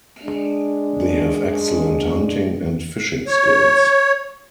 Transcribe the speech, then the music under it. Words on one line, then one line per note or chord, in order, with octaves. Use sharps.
They have excellent hunting and fishing skills.
G#3 D4
C#5